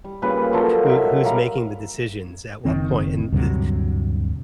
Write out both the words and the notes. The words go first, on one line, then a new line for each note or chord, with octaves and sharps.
Who who's making the decisions at what point, and th
G3
A#2 C#3 G3 B4
F3 F#3 A4 C6
D#4 E5
G3 A#4 F5 F#5
F#1 D#2 D#3 C4
D2 G2 C3 F#3